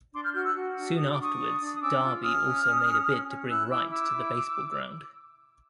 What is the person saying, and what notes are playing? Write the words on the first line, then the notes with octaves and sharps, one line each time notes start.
Soon afterwards Derby also made a bid to bring Wright to the Baseball Ground.
D4 C6 D6
F6 G6
F#4 F6 G6
E6 F#6
F#4
D4
D4 D#6
D6
D4 C#6 D#6
D4
D4
D#6
C#4 D6 E6
F4
C#4 D#6 F6
C#4
C#4
C#4
C#4
C#4
E4 E6 F#6
E4 D6 E6
E4 D6 E6
E4